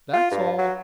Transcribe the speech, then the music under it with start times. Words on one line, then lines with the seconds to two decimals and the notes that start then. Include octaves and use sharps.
That's all.'
0.13 F4
0.31 G2
0.58 F#3